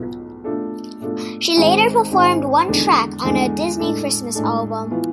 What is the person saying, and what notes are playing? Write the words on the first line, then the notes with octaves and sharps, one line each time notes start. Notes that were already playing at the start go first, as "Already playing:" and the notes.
She later performed one track on a Disney Christmas album.
Already playing: B1 B2 B3 F4
B2 A3 D4 F4 A4
B2 A3 D4 F4 A4
G#1 G#2 G#3 C4 G#4
G#1 G#2 G#3 C4 G#4
E2 D3 G#3 D4 G#4
E2 D3 G#3 D4 G#4
A2 G#3 D4 A4
A2 G#3 D4 A4
E3 B3 F4